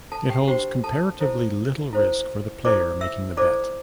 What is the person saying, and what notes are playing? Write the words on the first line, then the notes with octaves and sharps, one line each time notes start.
It holds comparatively little risk for the player making the bet.
A4 A5
G4 G5
D4 F#4 G4 C5 G5
A4 A5
E4 A4 C5
E4 A4 C5
E4 A4 C5 D5 D6
E5 E6
E4 A4 C5 D5 D6